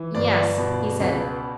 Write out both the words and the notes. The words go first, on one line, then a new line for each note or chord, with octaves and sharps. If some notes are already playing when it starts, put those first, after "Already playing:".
"Yes," he said.
Already playing: E3
G1 D5
B2
C#2